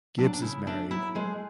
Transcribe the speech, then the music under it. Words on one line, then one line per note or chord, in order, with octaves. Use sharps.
Gibbs is married.
F#3 D4
D4
C#3 E4
A3 D4
F#3 E4
G#3 A3 G#4